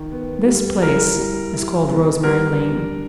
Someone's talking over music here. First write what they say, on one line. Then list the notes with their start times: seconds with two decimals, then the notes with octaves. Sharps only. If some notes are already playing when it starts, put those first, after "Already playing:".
This place is called Rosemary Lane.
Already playing: D#3
0.12 B3
0.46 G3
0.83 E4 A#4
1.18 G3
1.53 E4
1.89 B3
2.23 G3 A#4
2.60 D4